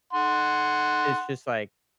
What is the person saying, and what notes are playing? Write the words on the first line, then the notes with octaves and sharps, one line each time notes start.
it's just, like,
F#5 C6